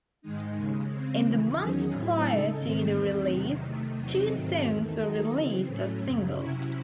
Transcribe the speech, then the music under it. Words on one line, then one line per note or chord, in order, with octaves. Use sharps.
In the months prior to the release, two songs were released as singles.
G#2 D#3 G#3 D#4
D#2 C#3 G#3
C#3 G#3 C4
D#2 C#3 E3
E2 D#3 F#3 C#4 G#4
A2 F#3 C4 E4
C#3 G#3 D#4 A4
G#2 D#3 A3 C4
E2 D#3 A3 C4
E2 C3 D#3 F#3
C3 D#3 A3
E2 C3 F#3 C4 D#4
G#2 D#3 F#3 A3 C4
E2 D#3 A3
D#2 D#3 F#3 A3 D#4
C#3 E3 C4
A2 F#3 A3 C#4
F#2 C#3 F#3
C3 F#3 C#4 E4